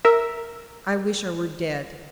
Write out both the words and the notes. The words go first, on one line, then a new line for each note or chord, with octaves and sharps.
I wish I were dead.
A#4 E5